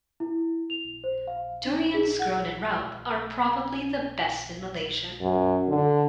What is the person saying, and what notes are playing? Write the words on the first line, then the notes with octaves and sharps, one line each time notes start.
Durians grown in Raub are probably the best in Malaysia.
E4
F7
C5
F5
D4
G#4
F#5
F#2
D3